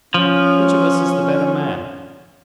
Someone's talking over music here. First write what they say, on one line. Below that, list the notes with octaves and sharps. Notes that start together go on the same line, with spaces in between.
Which of us is the better man?
F3 C#4